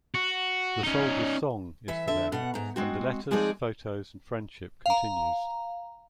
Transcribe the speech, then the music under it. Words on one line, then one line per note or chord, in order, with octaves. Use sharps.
'The Soldier's Song' is for them and the letters, photos and friendship continues.
F#4
C#4 D#4
E3 E5
D3 E5
B2 F#5
G#2 A#5
G#3 C4 F#4
F3 G#3 C4 D#4 G#4 D5
F5 A#5